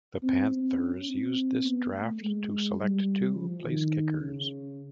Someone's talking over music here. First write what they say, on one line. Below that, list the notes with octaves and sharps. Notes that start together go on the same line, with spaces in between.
The Panthers used this draft to select two placekickers.
C4
C4
C#4
C4
B3
A3
G#3
G3
F3
D#3
C#3